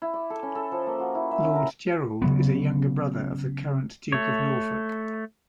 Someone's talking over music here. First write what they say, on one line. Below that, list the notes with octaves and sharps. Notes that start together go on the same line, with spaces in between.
Lord Gerald is a younger brother of the current Duke of Norfolk.
E4
D5
A4
C#4
A4
F3
A#3
F#4
E4
E5
C#4
A#4
C#3 F#3 B3
A3 C#5